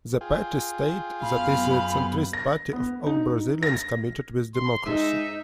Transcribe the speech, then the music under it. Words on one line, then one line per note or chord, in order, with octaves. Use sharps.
The party stayed that is a centrist party of all brazilians commited with democracy.
F4 G#4 G5
F#2 B3 F5 B5
A#6
B3
D#4
D#4
A#6
C6
G#2 D#4 E5